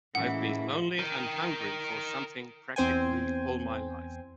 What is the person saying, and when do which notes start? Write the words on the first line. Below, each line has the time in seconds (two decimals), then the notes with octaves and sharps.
I've been lonely and hungry for something practically all my life.
0.15 A2 E3 G#3 A#3 C#4 E4 F#5
0.99 A#4 G5
2.76 E2 C4 C5 G5 G#5